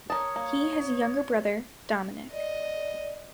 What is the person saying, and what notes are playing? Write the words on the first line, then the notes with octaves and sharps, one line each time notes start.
He has a younger brother, Dominick.
A#4 C#5 A5 D#6
A#3
D5 D#5